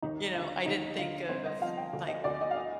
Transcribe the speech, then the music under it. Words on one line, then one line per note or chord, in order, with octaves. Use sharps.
you know, I didn't think of, like,
D#2 D#4
D3 F4
D#2 D#4
D3 F4
C2 C5
D#5
F3 F5
G5
D2
D#5
D2 D5
D#5
F5
D#5